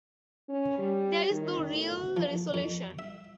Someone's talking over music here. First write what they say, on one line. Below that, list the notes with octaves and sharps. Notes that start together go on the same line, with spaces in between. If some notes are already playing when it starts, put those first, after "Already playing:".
There is no real resolution.
C#4
G3
D#3
A2
F3
F2
E5